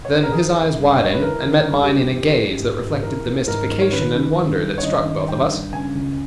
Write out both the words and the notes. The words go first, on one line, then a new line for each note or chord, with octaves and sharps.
Then his eyes widened and met mine in a gaze that reflected the mystification and wonder that struck both of us.
C#5
B4
A#4
E3 G#4
E3
G2
G2 D#5
C#5
B4
E3 A#4
E3
A#4
G2
G4
G2
E3
E3
G#2
G#2
E3 A#4
E3
G#2 A#4
G#2
C#5
D#3 B4
D#3
G2
G2
C#5
D#3 D#5
D#3
G2 G5
G2
C#3 G#5
C#2